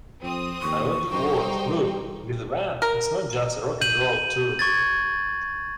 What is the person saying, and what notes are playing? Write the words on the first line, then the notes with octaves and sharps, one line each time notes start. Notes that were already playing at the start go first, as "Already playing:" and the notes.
My logic was, 'Look, with Van it's not just a rock and roll tour.
F2 C4 D#6
D#2 C#6
F#2 D#4 C5 G5
G3
A#4
G6 D#7 F#7
C#6 G#6 A6